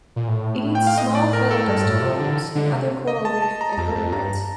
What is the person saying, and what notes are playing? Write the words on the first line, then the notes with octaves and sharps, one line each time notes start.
It eats small feather duster worms and other coral reef invertebrates.
A#2
A2
G5
F5
D#5
D5
A#4
A4
G2
A2
C3
D3
D3
C3
D#5
A5
A5
A#5
A#5
F2 A5
F2
G2 A#5